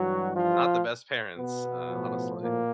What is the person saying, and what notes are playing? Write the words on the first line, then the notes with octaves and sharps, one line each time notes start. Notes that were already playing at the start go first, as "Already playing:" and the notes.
not the best parents, uh, honestly."
Already playing: G2 E3 F#3 G3 F#4
F3 F4
B2 B3
A2 F3
A#2 A#3